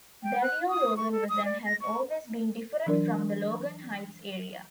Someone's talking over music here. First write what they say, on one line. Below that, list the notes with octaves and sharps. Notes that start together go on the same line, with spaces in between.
Barrio Logan was and has always been different from the Logan Heights area.
G5
F#6
D#6
C#6
A4
D#6
D5
A#6
C#6
E3 F#3 D4 A#4 D5